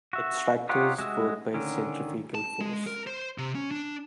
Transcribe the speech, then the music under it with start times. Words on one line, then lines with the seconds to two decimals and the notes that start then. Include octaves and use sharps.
Extractors work by centrifugal force.
0.13 F#4 E5
0.69 D#4 F4 G4 C#5 F#5
0.98 G#3 F#4 E5
1.54 D3 D#3 C#4
2.35 A5
2.61 G#3
2.87 A#4
3.07 C5
3.38 C3
3.55 C#4
3.71 D4